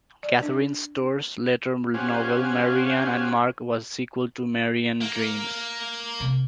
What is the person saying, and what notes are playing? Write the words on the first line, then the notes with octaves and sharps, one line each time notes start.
Catherine Storr's later novel "Marianne and Mark" was a sequel to "Marianne Dreams".
D5
D4
C#4 G4 C5 F5 F#5 G#5
A#3
C3